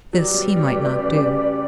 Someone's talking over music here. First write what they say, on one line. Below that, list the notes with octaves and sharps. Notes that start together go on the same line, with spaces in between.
This he might not do.
F#3 G4 B4 D5 G5
G3
G3
A3
C#3